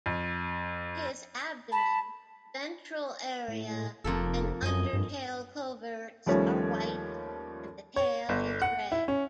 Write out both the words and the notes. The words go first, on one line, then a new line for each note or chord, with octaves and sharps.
His abdomen, ventral area and undertail coverts are white and the tail is grey.
F2
A5 B5
A2
F1 F2 A#3 A4
F#2 D#5 G#5
G2
D#2 F3 G3 A3 C#4 C#5
C#5
G1
F#5
E4
C#4